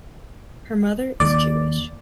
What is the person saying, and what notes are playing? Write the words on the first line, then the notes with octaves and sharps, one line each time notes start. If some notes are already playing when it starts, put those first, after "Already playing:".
Her mother is Jewish.
D#2 D5